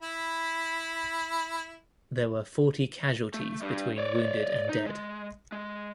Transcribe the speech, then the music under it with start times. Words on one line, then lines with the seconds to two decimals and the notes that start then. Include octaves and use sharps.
There were forty casualties between wounded and dead.
0.02 E4 B5
3.34 A3
3.62 G3 D4
3.98 C#5 D5
4.69 D#4
4.86 G#3
5.52 G#3